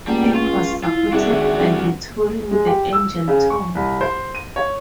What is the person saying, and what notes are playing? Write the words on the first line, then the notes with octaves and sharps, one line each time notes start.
It was supported by the Touring the Angel tour.
C#2 G3 A3 A#3 F#5
F4 C6 C#6
E4 F4
C2 D4 F#4 G#4 E5
G#1
C2
G#3
G4
E6
C#3
C#6
C2
C5
D#7
C#5